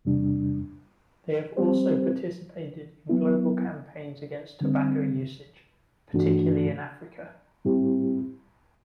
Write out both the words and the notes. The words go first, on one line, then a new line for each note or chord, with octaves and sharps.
They have also participated in global campaigns against tobacco usage, particularly in Africa.
E2 C3 G3 D4
G3 C4 G4 C5
F#3 B3 E4
D3 G3 C4
G2 E3 A3 D4 F#4
A2 G3 C4 E4 G4